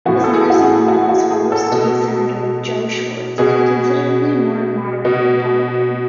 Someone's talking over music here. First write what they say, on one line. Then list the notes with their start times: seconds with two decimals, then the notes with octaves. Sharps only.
His nearest opponent was fellow state senator Joe Schwarz, a considerably more moderate Republican.
0.06 A2 E3 F#4
0.24 A4
0.34 G#4
0.50 F#4
0.62 G#4
0.88 F#4
1.09 F#4
1.31 G#4
1.52 A4
1.72 B2
3.38 B2 G#4
5.05 B2